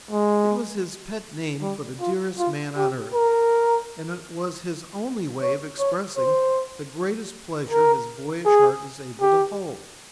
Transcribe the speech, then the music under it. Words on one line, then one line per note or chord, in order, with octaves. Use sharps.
It was his pet name for the dearest man on earth, and it was his only way of expressing the greatest pleasure his boyish heart was able to hold.
G#3
G3
F4
F4
G4
A#4
C#5
C#5
C5
A#4
G#4
G4